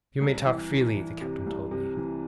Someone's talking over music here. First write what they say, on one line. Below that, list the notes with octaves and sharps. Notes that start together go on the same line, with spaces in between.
"You may talk freely," the captain told me.
C2
E3
E3
E3
C3
C2
C3
E3